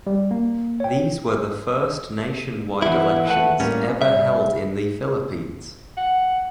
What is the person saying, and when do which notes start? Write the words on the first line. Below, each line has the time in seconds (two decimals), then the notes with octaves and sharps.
These were the first nationwide elections ever held in the Philippines.
0.07 G3
0.31 A#3
0.80 C#5 G5
2.82 E3 B3 E4
3.27 A3 B4 F#5
3.60 A2 G3 A#3 C#4
4.02 G3 E5
5.97 F#5